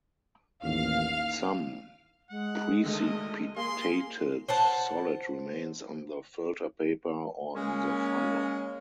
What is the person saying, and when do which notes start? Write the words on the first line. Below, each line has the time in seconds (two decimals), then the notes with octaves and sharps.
Some precipitated solid remains on the filter paper or in the funnel.
0.62 A1 D#2 F5 F6
2.30 G#3 F#5
2.83 D2 D3 D#3 D#5
3.56 A#3 G#4 C6
4.48 C5 F#5 A5
7.56 G#3 A#3 C#4